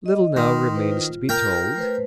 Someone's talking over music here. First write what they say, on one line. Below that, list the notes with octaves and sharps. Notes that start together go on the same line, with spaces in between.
Little now remains to be told.
D#5
D#3 C6
E4 B4 C5
F4
A#4 G5
A3 B4 C5